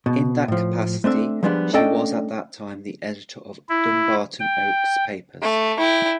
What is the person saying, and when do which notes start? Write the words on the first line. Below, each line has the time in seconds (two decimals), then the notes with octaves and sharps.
In that capacity, she was at that time the editor of Dumbarton Oaks Papers.
0.06 B2
0.48 A2 F3
1.04 A3 C4 D4 E5
1.43 F3 G3 G#3 B3 C#4 D4
1.73 A3 C#4 D4 A4 D#5 G5
3.69 E4
4.40 G5
5.42 A3
5.79 E4 G5